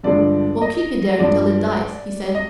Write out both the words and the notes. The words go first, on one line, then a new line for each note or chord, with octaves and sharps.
"We'll keep it there till it dies," he said.
G2 D3 F3 G#3 D5
D#5
G2 F3 G#3 D5
D#5